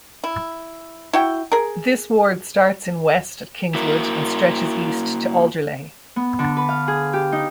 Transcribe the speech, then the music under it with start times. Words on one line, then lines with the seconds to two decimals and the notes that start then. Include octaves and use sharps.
This ward starts in west at Kingswood and stretches east to Alderley.
0.24 E4
1.13 E4 F#4 G5
1.52 G#4 A#4
3.75 A#3 E4 F#4 A#4
6.16 B3
6.39 D3
6.57 B4
6.69 F5
6.88 G#4
7.13 G4
7.32 D#4